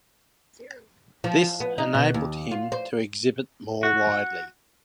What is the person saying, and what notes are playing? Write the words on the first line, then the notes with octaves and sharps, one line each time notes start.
This enabled him to exhibit more widely.
F3
B3
D#4
B2
D#2
F4
C5
F#4